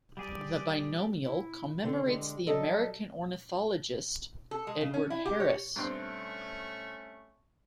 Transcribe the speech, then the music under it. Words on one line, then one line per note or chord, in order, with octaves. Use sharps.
The binomial commemorates the American ornithologist Edward Harris.
G3 G4 G#4 D5
E4
D3 C4
D3 G#3 G4
F#3 G3 A4 D#5 E5
A4
G#3
C#3
C#4
E4
G4
C#5
G2 A3 C4 C#4 C6 C#6